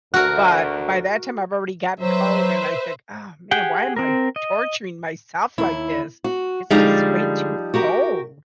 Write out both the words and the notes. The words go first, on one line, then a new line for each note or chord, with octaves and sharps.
But by that time, I've already gotten cold and I think, "Oh, man. Why am I torturing myself like this? It's just way too cold."
D2 F#4 A#4 F#6
F#3 B4 C5 E5
G4 G#4 F#5 G5
C4 A#4
D#5
D#2 E4
F#4
D3 F3 G3 G#3 D#4
F#4 G4 A#4